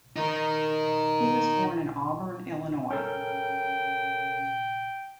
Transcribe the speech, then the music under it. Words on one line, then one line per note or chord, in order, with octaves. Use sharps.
He was born in Auburn, Illinois.
D#3 D#4
C#4 A4 A#4 G5